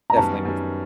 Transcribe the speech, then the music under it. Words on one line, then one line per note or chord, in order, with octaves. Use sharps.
Definitely before.
A#5
F#2 D#3 G3 B3 A5
F#2 D#3 G3 B3